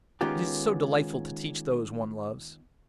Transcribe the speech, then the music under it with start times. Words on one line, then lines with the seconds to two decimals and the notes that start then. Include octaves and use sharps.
It is so delightful to teach those one loves!
0.21 D#3 G#3 B3 C#4 F4 G4